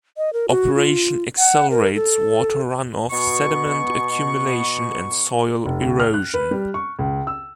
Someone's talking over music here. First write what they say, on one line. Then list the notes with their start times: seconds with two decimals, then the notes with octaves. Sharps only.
Operation accelerates water run-off, sediment accumulation and soil erosion.
0.17 D#5
0.33 A#4
0.49 F#4
0.75 F4
1.38 F#5
1.70 A#4
1.95 A4
3.11 B2 C#6
5.66 F1
5.81 C#2
6.00 F6
6.14 F#6
6.34 B4
6.51 G3
6.74 C#6
6.99 C#2
7.27 E6